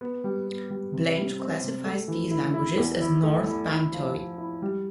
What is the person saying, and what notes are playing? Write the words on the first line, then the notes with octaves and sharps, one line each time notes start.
Blench classifies these languages as North Bantoid.
B3
G3
B3
G3
C3
G3
C4
C3
A3
E3
E4
E4
E2
E4
A3
E4
E4
F3
F3
E4
G3